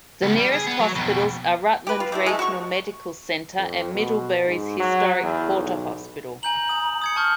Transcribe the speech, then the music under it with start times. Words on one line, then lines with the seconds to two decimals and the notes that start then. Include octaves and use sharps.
The nearest hospitals are Rutland Regional Medical Center and Middlebury's historic Porter Hospital.
0.22 C#2 B3
0.38 G3
0.52 G#4
0.67 B3
0.80 F#3
0.95 F2 B2
1.87 G4 B4
2.00 F4
2.12 G3 A3 E4
2.26 G#3 A3
2.39 F#4 C#6
3.58 F2
3.95 B2
4.46 G#2
4.80 F#3
5.23 E2
5.56 B1
6.43 G#5 A#5 G6 F#7
6.68 G#5 D#6 F#7
7.01 D#6 G#6 C#7
7.16 A5 C#6 F6 G6